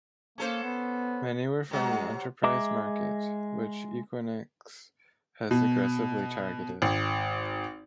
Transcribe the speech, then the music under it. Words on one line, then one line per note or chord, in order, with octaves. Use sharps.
Many were from the enterprise market, which Equinix has aggressively targeted.
A#3 C#4 A4 C5
B3
C3 F#3 G#3
G#3 E5 A#5 D6
B2
G#1